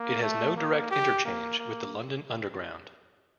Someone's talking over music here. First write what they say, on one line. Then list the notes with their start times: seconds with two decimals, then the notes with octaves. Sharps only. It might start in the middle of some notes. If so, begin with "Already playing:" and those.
It has no direct interchange with the London Underground.
Already playing: A#3
0.22 A3
0.56 A#3
0.91 G4
1.25 A#3
1.59 A#3